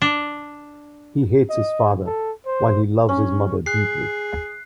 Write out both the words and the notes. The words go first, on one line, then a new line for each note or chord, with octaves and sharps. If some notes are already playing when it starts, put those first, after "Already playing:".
He hates his father while he loves his mother deeply.
D4
D#5
A4
C5
C#4
G#4 F#6 C7